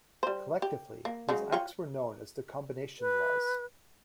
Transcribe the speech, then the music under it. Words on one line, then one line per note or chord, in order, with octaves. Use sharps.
Collectively these acts were known as the Combination Laws.
G3 C5
G4
A#3
C#3 F#3 G#3
F4 C#5 G5
B4